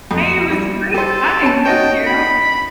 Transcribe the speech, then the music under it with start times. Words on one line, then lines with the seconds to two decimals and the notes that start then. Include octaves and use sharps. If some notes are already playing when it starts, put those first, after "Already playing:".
Hey, it was great chatting with you.
0.11 F2
0.50 G3
0.94 G4 A4 C5
1.43 C#4 A5
1.65 C#4 D#4 F#4 G5
2.06 B5